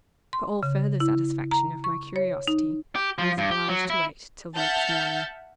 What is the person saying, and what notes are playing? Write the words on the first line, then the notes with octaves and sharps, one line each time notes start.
For all further satisfaction of my curiosity, I was obliged to wait till the next morning.
C6
C#3
E4
A#5
C#6
C#5
D#4
G4
F3
G2
G4
F#3
E4
E5 F#5 A5 F6 G6 A6